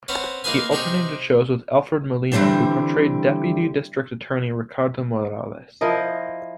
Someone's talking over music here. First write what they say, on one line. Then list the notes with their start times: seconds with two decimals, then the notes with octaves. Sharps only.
He alternated shows with Alfred Molina, who portrayed Deputy District Attorney Ricardo Morales.
0.08 C4 C#4 B4 F#5
0.44 A#3 D#4 F4 G#4 B4 G#5
0.71 C3 D#4 G#4 G5 C#6
2.32 D3 E3 G3 A#3 C4 D4
5.81 F3 E4 A#4 D#5